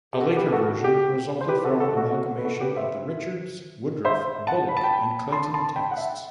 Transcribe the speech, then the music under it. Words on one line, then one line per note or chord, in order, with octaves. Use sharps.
A later version resulted from amalgamation of the Richards, Woodruff, Bullock and Clayton texts.
G4
F#4 A4
G4 B4
F#4 A4
F#4
G4
C5
G4 B4
F#4 A4
F#4 A4
F#4 A4
F#4
B4
F#4 A4
G4 B4
C5 E5
C5 E5
F#5 A5
B5
A5
G5 B5
A5 C6
A5 C6
G5 B5
F#5
E5 G5